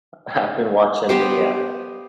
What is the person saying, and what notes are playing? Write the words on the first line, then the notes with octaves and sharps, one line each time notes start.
I've been watching the, uh
B3 G4 C5